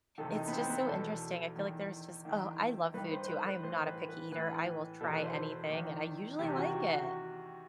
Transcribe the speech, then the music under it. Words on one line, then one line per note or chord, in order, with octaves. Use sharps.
it's just so interesting. I feel like there's just Oh, I love food too. I am not a picky eater, I will try anything, and I usually like it.
E2 C3 D#3 A4
D#4
B3
C4
B3
E2 B2 A4
E2 D#3
E2 D#3
G2 D#3 B4
C5
C5
B4
B4
A2 E3 C5
B4
B4
A2 E3 B4
E2 B2 A4
B4
C5
E2 D#3
E2 C3 D#3 G4
F#4
F#4
F#4